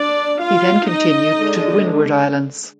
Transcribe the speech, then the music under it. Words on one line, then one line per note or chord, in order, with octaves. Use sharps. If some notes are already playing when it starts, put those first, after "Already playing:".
He then continued to the Windward Islands.
Already playing: D4 D5
F4 F5
D#4 D#5
D3 G#3 D4